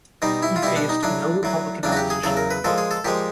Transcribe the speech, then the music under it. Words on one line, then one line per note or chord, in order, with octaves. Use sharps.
He faced no Republican opposition that year.
B2 G3 D#4
E4
F4
B2 G3 E4
D4
D#4
A2 F#3 D4
A2 F#3
E2 C#3 F#3 D4
F#4
G4
G#4
E2 C#3 F#3 A4
A#4
B4
A#2 F3 G#3 A4
G#4
A4
A#2 F3 G#3 G4